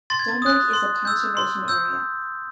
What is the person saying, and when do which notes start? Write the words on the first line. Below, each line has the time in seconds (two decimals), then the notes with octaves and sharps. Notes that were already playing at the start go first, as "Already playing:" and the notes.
Dumbreck is a conservation area.
0.10 C6 A6
0.19 G#6
0.28 A6
0.42 D#6 F#6
0.73 C6
1.05 E6 G6
1.37 C6
1.68 E6 G6